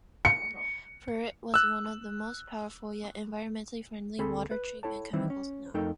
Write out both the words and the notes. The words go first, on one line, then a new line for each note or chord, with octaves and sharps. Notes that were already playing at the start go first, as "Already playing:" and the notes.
Ferrate is one of the most powerful, yet environmentally friendly, water treatment chemicals known.
C#7
E6 F#6
D2 C4 G#4 A4 B5
B4
E4 A4 C#5 G5 A5
D#3 E3 G3 C4 E4
C#4
F2 A3 D#4 A4 A#4 G5